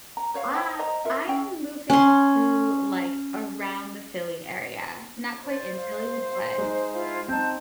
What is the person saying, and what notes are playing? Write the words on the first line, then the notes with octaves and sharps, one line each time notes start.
I I am moving to, like, around the Philly area. Not quite in Philly, but,
A#5
C5 C#5 F5
C5 G5 A5
C5 D#5 A#5
F4 A#4 E5
C#4 E4 G5
C#4 C6
C5 D5
F5
G#3 D#4
E4 F4 F5
C4 D#4 A5 G6